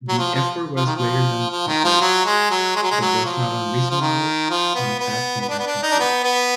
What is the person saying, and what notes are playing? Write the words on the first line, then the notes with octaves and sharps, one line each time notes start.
The effort was greater than above, but was not unreasonable on fast modern computers.
F#3
F3
F3
F3
D#3
F3
F3
D#3
F3
F#3
G#3
F#3
G#3
F#3
G#3
F#3
F3
F3
D#3
F3
B3
B3
B3
D4
B3
D4
D#4
D4
B3
B3